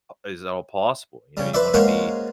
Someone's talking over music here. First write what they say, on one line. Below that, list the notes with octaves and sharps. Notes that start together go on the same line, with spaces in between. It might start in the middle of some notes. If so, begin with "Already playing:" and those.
at as all possible. You know, you wanna be
C#3 G3
B4 C5 D5 E5
G#3 A#3 C#4 F#4 A#4 C5